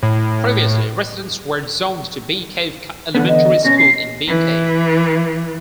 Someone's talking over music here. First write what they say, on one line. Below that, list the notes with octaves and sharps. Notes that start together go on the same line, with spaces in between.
Previously residents were zoned to Bee Cave Elementary School in Bee Cave.
A2
E2 D3 B3
D#5
B2 C#4 A#6
C7
E3